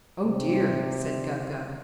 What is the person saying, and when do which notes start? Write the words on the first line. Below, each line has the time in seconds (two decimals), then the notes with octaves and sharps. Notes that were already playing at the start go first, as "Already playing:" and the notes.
"Oh, dear!" said Gub-Gub.
0.24 D#2 C3